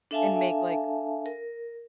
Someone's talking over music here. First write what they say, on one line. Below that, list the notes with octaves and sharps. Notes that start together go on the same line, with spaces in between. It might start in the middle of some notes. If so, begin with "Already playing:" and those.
and make, like,
D4 A4 E5 F5 G#5 A5
A#4